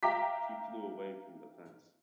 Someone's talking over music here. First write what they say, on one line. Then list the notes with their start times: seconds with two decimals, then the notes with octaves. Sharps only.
He flew away from the fence.
0.03 E5 F5 G5 A#5 D6 B6